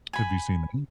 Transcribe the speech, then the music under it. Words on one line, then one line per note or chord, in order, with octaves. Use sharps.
Have you seen them?
G#5 B5